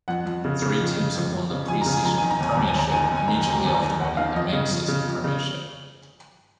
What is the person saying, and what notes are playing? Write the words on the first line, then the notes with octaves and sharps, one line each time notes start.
Three teams have won the pre-season premiership immediately after winning the main season premiership.
F2 F#5
F2
C#3
C#3
F2
C#3
F2
F2
C#3
F2 G#5
C#3 A#5
G#5
F2 A#5
D#3 G#5
A#5
D#2 G#5
D#2 A#5
G#5
D#2 A#5
D#3 G#5
A#5
D#2
G#5
D#3 A#5
G#5
D#2
A#5
D#2 G#5
A#5
D#3 G#5
D#2 F#5
D#3 F5
F2 D#5
C#3
F2
C#3
F2
C#3